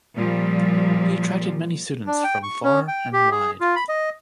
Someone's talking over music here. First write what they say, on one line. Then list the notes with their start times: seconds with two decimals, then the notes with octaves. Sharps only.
He attracted many students from far and wide.
0.18 A#2 F3 G3
2.07 D4
2.24 G5
2.43 C#6
2.64 C#4
2.88 G5
3.13 G4
3.31 G#4
3.60 F4
3.76 B5
3.89 D#5